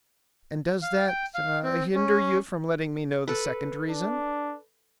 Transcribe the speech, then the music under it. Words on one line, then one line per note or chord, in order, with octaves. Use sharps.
"And does that hinder you from letting me know the second reason?"
F5
G5
F5
C4
C#4
A4 B4
D4